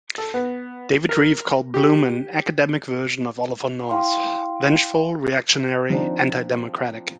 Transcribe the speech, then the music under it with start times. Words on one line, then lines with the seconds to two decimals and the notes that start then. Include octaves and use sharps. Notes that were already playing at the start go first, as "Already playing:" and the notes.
David Rieff called Bloom "an academic version of Oliver North: vengeful, reactionary, antidemocratic".
0.18 A4
0.34 B3
1.09 A#4
1.74 G4
3.89 E4 F5 G5 C6
5.90 F3 C4 D4 D#4